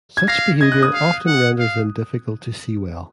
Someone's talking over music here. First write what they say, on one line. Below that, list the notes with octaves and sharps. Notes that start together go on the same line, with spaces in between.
Such behavior often renders them difficult to see well.
G#6
F5 A#6
D#5 G#6
F#6
D#6
F5
F#5
F5